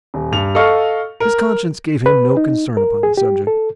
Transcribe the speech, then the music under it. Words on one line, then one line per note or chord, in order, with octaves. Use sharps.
His conscience gave him no concern upon the subject.
D#1
G2 F7
A4 D#5 F5 C#6 F6
A#4
B4
D#4
A#4
G#4
G4
A4